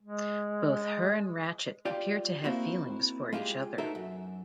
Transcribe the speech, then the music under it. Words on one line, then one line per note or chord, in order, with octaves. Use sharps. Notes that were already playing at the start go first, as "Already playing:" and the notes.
Both her and Ratchet appear to have feelings for each other.
G#3
F4 G4 D5 G5
A#3 C4 E4 F#4
G#3 F4 G4 G#4
D#4 F#4 A4 A#4 C5 E5
F#2